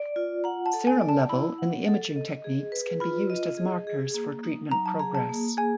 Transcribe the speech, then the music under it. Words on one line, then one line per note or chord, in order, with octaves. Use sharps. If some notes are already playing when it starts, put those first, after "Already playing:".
Serum level and the imaging techniques can be used as markers for treatment progress.
Already playing: D5
F4
F#5 A#5
A5
A4
G#5
D5
A5
E4 B5
F#5
A4
D#5
G#4
B4
F4 B5
D#5
G#4
G#4
A#3
D#4
F#3 A#5
A5
G#4 A#5
A5
A#3
G#4 G#5